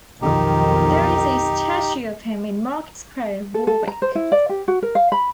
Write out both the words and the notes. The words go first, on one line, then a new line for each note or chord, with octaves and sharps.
There is a statue of him in Market Square, Warwick.
B1 F2 D#3 D#4 G4
A4
A4
A#5
C5
E4
D5
G4
F#4
A#4
F5
B5